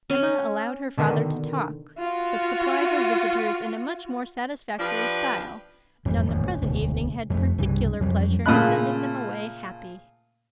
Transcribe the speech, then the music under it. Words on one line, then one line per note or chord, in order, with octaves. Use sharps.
Emma allowed her father to talk--but supplied her visitors in a much more satisfactory style, and on the present evening had particular pleasure in sending them away happy.
C#4
B2 D3 D#3
F4 F#4
F3 D4 G4 B4
G#1 F2 E3 G3
D#1 A1 F2
E1 D2
F2 G#3 A3
C2 G2 C#3 E3
F2 F#3 G3
A#2 C#3 A3 B5 F#6